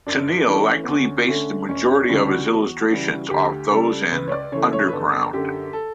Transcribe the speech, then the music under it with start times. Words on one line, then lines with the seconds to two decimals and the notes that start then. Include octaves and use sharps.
Tenniel likely based the majority of his illustrations off those in "Under Ground".
0.07 F#2 D4
0.47 E3 A3 C#4
0.83 B3
0.88 D2 C#4
1.28 D3 A3 C#4
1.69 E1 C#4
1.90 C#4
2.09 D2 C#3 E3 G3 C#4
2.30 F#4
2.49 E2
2.91 C#3 E3 G3
3.30 D2 G4
3.71 C#3 G3 A4
4.12 C#2 B4
4.28 C#5
4.32 D5
4.52 C#3 E3 A3 C#5
4.73 C#5
4.88 B4
4.93 G1 A4
5.33 F#2 D3 G4
5.73 A4